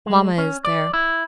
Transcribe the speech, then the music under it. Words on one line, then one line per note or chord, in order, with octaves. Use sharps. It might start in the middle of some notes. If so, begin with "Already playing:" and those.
"Mamma is there."
G#3
C#4
D5
E4